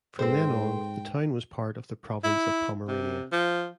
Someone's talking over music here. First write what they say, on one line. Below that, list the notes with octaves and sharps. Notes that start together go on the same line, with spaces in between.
From then on, the town was part of the Province of Pomerania.
G#2 C4 G#4 A4 B4 C5 G5
E4
C3
F3